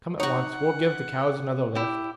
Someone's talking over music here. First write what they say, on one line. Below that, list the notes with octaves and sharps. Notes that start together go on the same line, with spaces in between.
Come at once; we'll give the cows another lift.
D#4 F#4 C#5 F#5
E4 G4